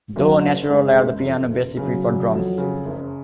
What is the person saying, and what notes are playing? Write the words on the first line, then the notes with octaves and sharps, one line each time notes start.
Though a natural at the piano, Basie preferred drums.
F#1 F#3
F#1
F#1 G#3
F#1
F2
F#1
C#3 F#3
C#3
F2
C#3
F#1